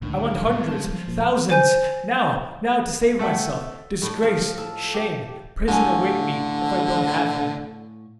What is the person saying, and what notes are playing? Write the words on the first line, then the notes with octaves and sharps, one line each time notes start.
I want hundreds--thousands--now, now, to save myself! Disgrace, shame, prison await me if I don't have them.
C#2 A2 D3 D#3
G3 G#3 B3 C4 F4
F5 A5
F3
A#1 A#2
C5 G#5 G6
A3 A4 E5 F#5 G5
A2
F3
A4
G4
A2 D3 F5 G#5